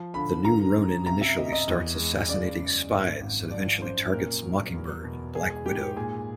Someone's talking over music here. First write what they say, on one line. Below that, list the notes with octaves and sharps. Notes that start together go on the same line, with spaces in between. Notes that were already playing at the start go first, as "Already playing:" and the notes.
The new Ronin initially starts assassinating spies and eventually targets Mockingbird and Black Widow.
Already playing: F3
D3 B5
D3 A#5
F#2
C3 A#5
E5
C3 D#5
D#5
E2
G#3
C#3 D5
F#2
G#1
G#1
F3 D5
F#2 C5
A#2 A#4
F#3
E2
B2
G#3 G#4
G#4
G#2 G4
G4
A#2 G#4